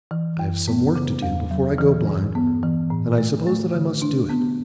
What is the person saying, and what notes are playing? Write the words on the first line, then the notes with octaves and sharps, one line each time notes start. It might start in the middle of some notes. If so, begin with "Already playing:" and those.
I have some work to do before I go blind, and I suppose that I must do it.
E3
F#2
B3
C#3
E2
F#3
E3
G2
B3
E3
A2
A3
A3
D3
D4
B3